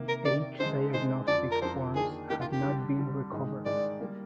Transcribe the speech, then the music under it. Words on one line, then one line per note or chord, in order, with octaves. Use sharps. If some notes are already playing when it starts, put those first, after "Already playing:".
Age diagnostic forms have not been recovered.
Already playing: C3 D#3 A#3
A#4
C3 D#3 A#3 D5
D3 G#3 D#4 C5
D3 G#3 D#4 C5
F2 D3 F3 D5
A#4
F2 D3 F3 C5
D#3 A#3 D4 G#4
D#3 A#3 D4 G4
F4
G4
D3 G3 D4
D3 G3 D4
G#2 D#3 G#3 D#4
G#2 D#3 G#3 D#4 D5
G3 A#3